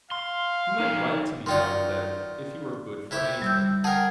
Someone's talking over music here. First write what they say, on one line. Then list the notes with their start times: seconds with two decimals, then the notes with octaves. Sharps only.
You might write to me now and then, if you were good for any thing.
0.11 F5 C6
0.80 D#4 C#5
1.46 D#3 F4 F#4 D5 G5 C6
3.11 C3 E4 G4
3.42 G3 E6 G6
3.84 G#4 A#4 F#5 G5 A5